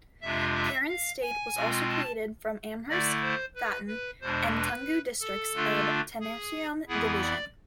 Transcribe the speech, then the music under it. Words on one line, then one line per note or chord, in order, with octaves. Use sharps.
Karen State was also created from Amherst, Thaton, and Toungoo Districts of Tenasserim Division.
F2 C3 G#3 D4 F4 E5
E5
F5
G#5
B2 G#3 C4 F4
A5
D3 A3 E4 D5
C5
B4
B4
E2 B2 G#3 D4 C5
B4
A4
D3 A3 D4 F4
G#4
F2 E3 B3 E4 G#4
D5